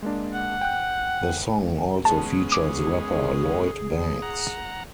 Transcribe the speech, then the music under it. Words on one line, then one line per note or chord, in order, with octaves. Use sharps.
The song also features rapper Lloyd Banks.
G#3 A#3 D4
F#5
G5 F#6
G#3 B3 C#4 G#4 A5
D6
F#5 A#5